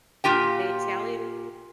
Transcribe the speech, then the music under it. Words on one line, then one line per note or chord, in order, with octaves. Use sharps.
The Italian
A#2 F4 G4 G5